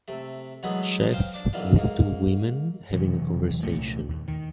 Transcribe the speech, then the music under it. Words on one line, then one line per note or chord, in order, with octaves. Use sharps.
Chef with two women having a conversation.
C3 A3
E3 F#3 G#3 A3 B3 B4
C5 F5 G5
D4 D6
B1 A#2 D3 E3 F4
G#2 A#3
E1 C3 E3 F#3
C2 F2 A#2 A3
D#2
D#3